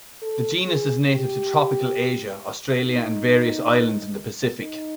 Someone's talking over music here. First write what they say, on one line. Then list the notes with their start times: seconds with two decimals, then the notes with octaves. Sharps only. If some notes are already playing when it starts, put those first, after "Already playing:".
The genus is native to tropical Asia, Australia, and various islands in the Pacific.
0.22 A4
0.66 G#4
1.10 G4
2.87 D#4
4.63 D#4